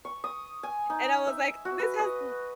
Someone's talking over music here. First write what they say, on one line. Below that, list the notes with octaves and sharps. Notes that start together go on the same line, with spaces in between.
and I was like, "This has b
C#6
D#6
G#5
D#4
E5
F#4
B4
D#5